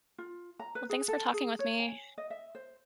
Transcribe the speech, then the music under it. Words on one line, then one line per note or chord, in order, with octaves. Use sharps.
Well, thanks for talking with me.
F4
A#5
B4
G#4
A4
G#4
C#5
G#5
D#5
E5
C5